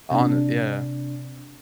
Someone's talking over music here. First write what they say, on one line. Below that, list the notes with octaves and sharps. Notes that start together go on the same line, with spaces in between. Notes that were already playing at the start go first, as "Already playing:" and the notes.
On it, yeah.
C3 D4